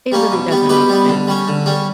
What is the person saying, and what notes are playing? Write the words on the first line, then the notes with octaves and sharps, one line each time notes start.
It really doesn't make sense.
G3 A#3 C#4
B2
G3 B3
B2 G4 B4
G3 B3
D3
G3 C#4
D3
G3 C#4